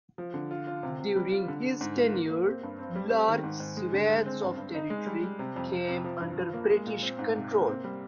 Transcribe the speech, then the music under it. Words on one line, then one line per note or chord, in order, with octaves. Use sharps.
During his tenure, large swaths of territory came under British control.
F3
D3
F4
F4
C3
C3
G3
F4
D3
D3
G#2
F4
A#3
A#3
C4
G2
C4
G3
C4
D#3
G#2
G#2
G#3
D3
G#3
C4
G2
G2
D#4
G#3
G3
G3
C3
F2
C3
C3
F3
G2
F3
A#3
G#3
A#2
C4
G#2
C3
A#3
C4
G3